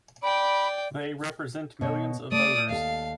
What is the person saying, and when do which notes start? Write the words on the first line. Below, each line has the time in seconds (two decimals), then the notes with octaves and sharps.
They represent millions of voters!
0.23 D5 G5 B5
1.81 B2 C#5
2.32 A3 D5 D#6
2.69 D#2 A4 F5